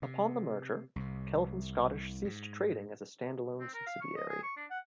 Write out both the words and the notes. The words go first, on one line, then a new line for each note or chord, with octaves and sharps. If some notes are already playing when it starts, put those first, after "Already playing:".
Upon the merger, Kelvin Scottish ceased trading as a stand-alone subsidiary.
C3
C2 C3
G#2
C4
A#4
F5
C#6
D#5
G#4
C#6
D4
F#5